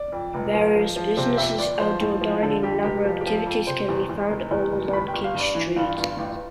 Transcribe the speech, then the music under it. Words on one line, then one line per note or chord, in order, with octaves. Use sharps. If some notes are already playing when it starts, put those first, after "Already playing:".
Various businesses, outdoor dining and other activities can be found all along King Street.
Already playing: D5
F2
F1
F3
F3
F3
C3 C5
F2 E5
G1 D5
F3 C5
A2
F3
D3 A4
F2 G4
F1 G4
F3 G4
G4
F3
A4
F2
C3 C5
E2
E2
F1
E2
F1
G1 B5
G5
G1
F5
G2
D5
E3
G2 F4
G1 F4
A1